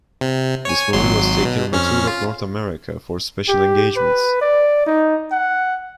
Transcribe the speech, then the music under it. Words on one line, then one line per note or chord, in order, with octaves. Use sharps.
This movie was taken on a tour of North America for special engagements.
C3
C#5 G#5
G#1 F#3 C6
B2
F2 C#4 F6
F4
G4
B4
D5
D#4
F#5